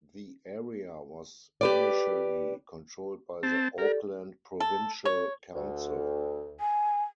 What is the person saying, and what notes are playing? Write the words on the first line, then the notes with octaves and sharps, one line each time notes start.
The area was initially controlled by the Auckland Provincial Council.
G4 B4 D5
C4 A5
G4 A4 A#4 D5
A4
C#5
D2
G#5